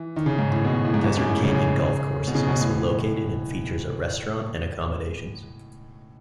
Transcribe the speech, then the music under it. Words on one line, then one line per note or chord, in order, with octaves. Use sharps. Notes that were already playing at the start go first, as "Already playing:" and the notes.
Desert Canyon Golf course is also located and features a restaurant and accommodations.
Already playing: E3
D#3
C#3
G#2
A2
B2
A2
G#2
G#2
F#2
A2
C#3
B2
C#3
B2
A2